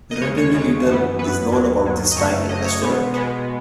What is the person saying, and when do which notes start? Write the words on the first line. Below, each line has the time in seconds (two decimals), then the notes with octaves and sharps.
Relatively little is known about this tiny asteroid.
0.11 D#5
0.22 D#2 C#3 G#3 C#5
0.37 C#5
0.54 D#2 C#3 G#3
0.86 F#2 E3 B3
1.19 F#2 E3 B3 B4
1.52 D#2 D#3 F#3
1.84 D#2 D#3 F#3
2.12 D#5
2.16 F#2 C#3 F#3 A3 C#5
2.49 F#2 C#3 F#3 A3 D#5
2.65 C#5
2.81 B2 G#3 B3
3.14 B2 G#3 B3